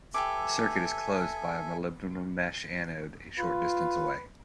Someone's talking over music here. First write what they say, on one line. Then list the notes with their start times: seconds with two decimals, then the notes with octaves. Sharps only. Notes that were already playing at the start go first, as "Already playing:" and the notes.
The circuit is closed by a molybdenum mesh anode a short distance away.
0.14 G4 A4 B4 E5 G#5 D6
3.39 F4 B4